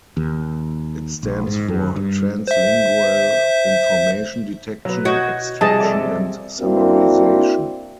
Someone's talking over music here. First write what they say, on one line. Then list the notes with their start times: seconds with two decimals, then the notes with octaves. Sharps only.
It stands for Translingual Information Detection, Extraction and Summarization.
0.17 D#2
1.23 A#1
1.47 G#2
1.68 F#2
1.96 G2
2.47 C5 E5
4.85 B2 F#3 B4
5.05 F#4 C#5 D#5 G6 G#6
5.61 C3 F3 G3 G#4 D#5 A5
5.80 A4 D5
6.61 A#3 C4 D4 E4 F#4